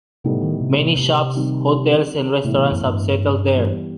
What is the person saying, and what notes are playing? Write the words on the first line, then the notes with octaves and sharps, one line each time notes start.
Many shops, hotels and restaurants have settled there.
A2 C3 G3 B3 D#4 A4
D#3
C3
C3
D#3 G3 C4 D#4
A2 C3 E3 B3
C3
F#2
G2
E3 G3 B3